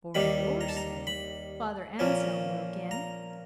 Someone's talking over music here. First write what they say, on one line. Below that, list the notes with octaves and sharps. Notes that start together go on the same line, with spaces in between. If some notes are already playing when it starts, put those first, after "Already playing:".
"For your sake?" Father Anselm broke in.
D#2 D#3 G3 B5
A#5
A5
A#5
B5
A#2 F3 A#3 C#4
A#5